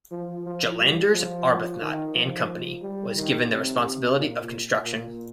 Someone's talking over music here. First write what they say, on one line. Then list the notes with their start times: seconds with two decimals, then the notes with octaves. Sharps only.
Gillanders Arbuthnot and Company was given the responsibility of construction.
0.11 F3
0.46 F3
0.80 G3
1.13 F3
1.81 D#3
2.15 F3
2.82 G3
3.17 D#3
3.50 C3
3.84 C3
4.18 A#2
4.85 A#2